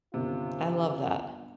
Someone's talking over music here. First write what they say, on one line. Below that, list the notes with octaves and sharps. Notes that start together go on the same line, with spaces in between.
I love that.
G1 C3 D#3 C#4 F4